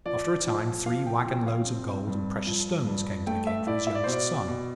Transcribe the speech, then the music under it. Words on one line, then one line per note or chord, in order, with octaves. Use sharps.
After a time three wagon loads of gold and precious stones came to the King for his youngest son.
F3 D5
F3
F3 F5
G5
F3 G5
F5
C4
G2
F3
G2
A3 G5
E5
E4 D5
E5
D5
B2 C5
D5
B2